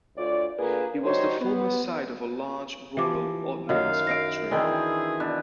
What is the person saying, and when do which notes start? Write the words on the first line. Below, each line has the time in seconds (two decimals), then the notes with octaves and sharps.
It was the former site of a large Royal Ordnance Factory.
0.17 D2 F4 C#5 D5
0.58 D3 A#3 F4 G#4 A#4 B4
1.04 G3 D#4 F#4 C5 C#5
1.40 B3
2.97 E3 F3 G4 D6
3.69 F#2 D#3 F#3 F5
4.07 A#6 C7 D7
4.51 D#3 E3 C4 D4 G#4
5.20 B2 D4